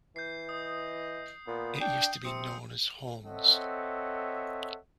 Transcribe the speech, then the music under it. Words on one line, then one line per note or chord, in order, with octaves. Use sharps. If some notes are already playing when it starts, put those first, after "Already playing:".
It used to be known as Hawnes.
E3 G6 C7
D#5 D#6
A#2 B3
D4 G5
C3 C4 D#6 C#7
C4 A4 C#5 D#5 E5 F#5